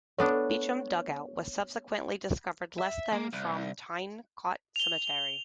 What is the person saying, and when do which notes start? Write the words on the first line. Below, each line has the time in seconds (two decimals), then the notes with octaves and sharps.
Beecham dugout was subsequently discovered less than from Tyne Cot Cemetery.
0.19 A3 B3 D4 C#5
2.79 E5
3.13 A#3
3.33 C2
4.76 F7 G7